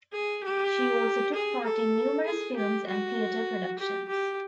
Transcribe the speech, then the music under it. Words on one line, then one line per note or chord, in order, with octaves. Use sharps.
She also took part in numerous films and theater productions.
G#4
G4
G#4
A4
G#4
G4
F#4
G4
G4